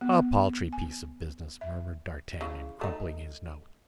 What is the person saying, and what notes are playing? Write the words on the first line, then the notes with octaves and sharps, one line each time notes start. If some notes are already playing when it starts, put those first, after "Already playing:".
"A paltry piece of business!" murmured D'Artagnan crumpling his note.
B3
G#5
E5
C#3 E3
A3 D#4